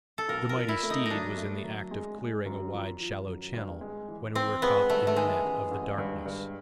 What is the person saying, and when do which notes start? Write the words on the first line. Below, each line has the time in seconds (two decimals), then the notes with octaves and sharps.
The mighty steed was in the act of clearing a wide shallow channel when we were caught in the net of the darkness.
0.18 A4
0.28 B1 A#4
0.49 A#4
0.56 A#2
0.69 E4
0.83 A3
0.90 D#4
1.06 F#3 D4 D#4
1.37 A3
1.64 F#3
1.91 G#3
2.19 G#3
2.46 F#2
2.73 F3
3.00 F3
3.27 F#2
3.54 G2
3.81 G#3
4.08 E3
4.35 E3 C4
4.62 G#3 B3
4.90 G2 A3
5.07 A3
5.16 D#3 G#3
5.44 A1
5.71 A1
5.98 G2
6.26 G2